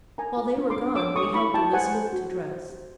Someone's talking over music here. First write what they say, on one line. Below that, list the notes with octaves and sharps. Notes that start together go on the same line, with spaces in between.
While they were gone we helped Elizabeth to dress.
A#4 G#5 A#5
F4
D4
C6 D6
D4
C#5 D6 E6
A4 C#6 D#6
E4 B5 C#6
E4 G5 A5
C5 F#5 G#5
A4
F#4
F#4
C5
G4